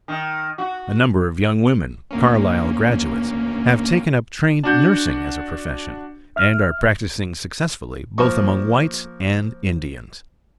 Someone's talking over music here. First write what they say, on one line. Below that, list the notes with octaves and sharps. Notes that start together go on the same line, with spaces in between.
A number of young women, Carlisle graduates, have taken up trained nursing as a profession, and are practising successfully both among whites and Indians.
D#3
F#4
D2 A#3 C#4
D4 F#4 G6
E5 F6
F3 A#3 C#6